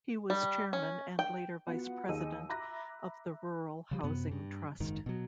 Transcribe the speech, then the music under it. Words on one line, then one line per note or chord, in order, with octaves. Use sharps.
He was chairman and later vice-president of the Rural Housing Trust.
G3
C#4
G5
B3 F4 F#4 B4 F#5
D#2 D#4 G#4 G#5 E6 D#7
E5 A#5 B5 D6 F#6 A#6
C#3 F3 G3
F#2 C3 B3
G2
F#1 G#2 D#3
B2 F#3